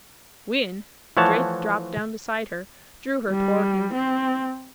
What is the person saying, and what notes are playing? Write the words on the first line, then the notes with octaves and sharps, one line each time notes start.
"Win?" Drake dropped down beside her, drew her toward him.
E3 F3 A3 C#5 F#5 A5
G3
C4